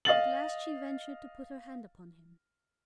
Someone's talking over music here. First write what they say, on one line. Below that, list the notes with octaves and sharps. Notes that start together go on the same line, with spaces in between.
At last she ventured to put her hand upon him.
D#5 F5 A6 F#7